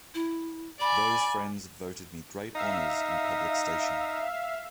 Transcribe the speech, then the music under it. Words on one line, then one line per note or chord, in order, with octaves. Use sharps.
Those friends voted me great honors in public station.
E4
D5 G#5 B5
D#4 E5 F5